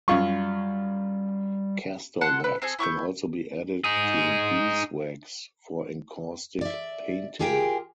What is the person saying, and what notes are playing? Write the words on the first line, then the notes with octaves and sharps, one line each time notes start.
Castor wax can also be added to beeswax for encaustic painting.
F#2 G3 F4 C#6
F#5 A5 C6 F#6
A4 B4
C4 G#4 A4
E4 C#6 D6 G6
D#4 G#4
D5 E5
F4 G4 G#4 A#4 G5